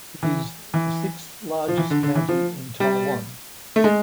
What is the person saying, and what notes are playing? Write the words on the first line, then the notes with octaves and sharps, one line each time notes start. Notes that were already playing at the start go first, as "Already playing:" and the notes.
It is the sixth largest county in Taiwan.
E3
E3
F3
E3
D3
D3
E3
F3
G3
A3
G#3